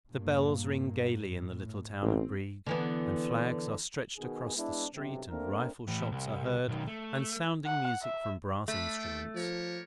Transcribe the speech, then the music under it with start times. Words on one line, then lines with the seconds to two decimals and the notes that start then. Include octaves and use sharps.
The bells ring gaily in the little town of Brieg, and flags are stretched across the street, and rifle shots are heard, and sounding music from brass instruments.
0.11 G2 A#2 A#3
1.39 A2
2.02 A1 C4
2.66 D3 E3 B3
4.18 B2 D#3 B3 G#4
4.56 G#3 B3 D4 E4
4.94 B1 G2 C3
5.29 A3 A#3 C4 D4 A#4
5.88 A2 E3
6.12 C2
6.68 B1 D#3
6.87 A3
7.66 F#5
8.02 E5
8.68 A3 D4 B5
8.98 A4 B4 G5
9.35 F3 G3 A#4 C#5